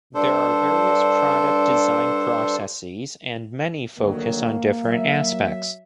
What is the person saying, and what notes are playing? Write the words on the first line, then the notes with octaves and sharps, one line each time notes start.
There are various product design processes and many focus on different aspects.
G2 D4 A4 C5
D2 D#3 F#3 A#3
F#3 E5